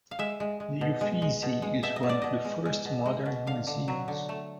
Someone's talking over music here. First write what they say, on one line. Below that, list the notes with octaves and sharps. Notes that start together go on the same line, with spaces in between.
The Uffizi is one of the first modern museums.
F5
G#3 E5
G#3
G#3
B2
G#3
G#3
B2
G#3
B2 E5
D#5
B2
D5
B2 D#5
G#3
G#3
B2
G#3
B2
D3 F5
D3
F#3
D3
A3